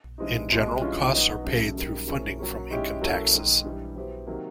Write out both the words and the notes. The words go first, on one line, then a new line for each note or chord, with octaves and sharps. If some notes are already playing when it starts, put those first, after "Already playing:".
In general, costs are paid through funding from income taxes.
G2 E3 G#3 C4 D#4
C2 B2 G#3
G2 E3 G#3 C#4 F4
F#3 B3 D#4 F#4
F#2 C#3 F#3 A3
F#2 D#3 G3 A#3
F3 A#3 C#4 E4 G#4
F#3 A#3 C#4
D#3 G#3 C#4 E4 G4
F#3 A#3 C#4 E4 A4
G#2 D#3 G#3
G2 E3 G3
F#3 B3 E4 G4 C5
C3 D#3 F#3 A#3